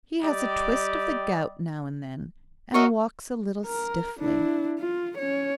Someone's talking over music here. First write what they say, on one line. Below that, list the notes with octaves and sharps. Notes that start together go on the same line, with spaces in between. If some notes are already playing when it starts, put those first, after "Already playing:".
He has a twist of the gout now and then and walks a little stiffly.
G3 G4 D5 D#5
F#4 A#4 C#5 D#5 E5
A#4
D4 E4
F4
C#4 C#5